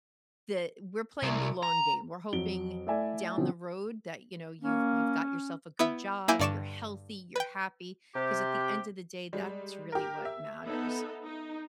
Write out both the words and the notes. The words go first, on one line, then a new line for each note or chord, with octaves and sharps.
the we're playing the long game. We're hoping down the road that, you know, you've you've got yourself a good job, you're healthy, you're happy. 'Cause at the end of the day, that's really what matters.
C2
A#5
F2 F#3 D7 G7
A3 E4 A4 D5 E5 G#5
B2 D3 F3 F#3 C4 C#4
A#3 C#4
B3 E4 E5
A#3 E4 G#5 D6 G6
G2 D3 D5 C#6 D6 E7
B4 G5
C3 G4
G3 G#3
G4 A#4
E5
B3 D#4 A4
D#4